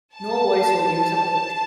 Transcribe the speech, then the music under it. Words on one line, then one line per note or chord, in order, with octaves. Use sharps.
No voice audio support.
A5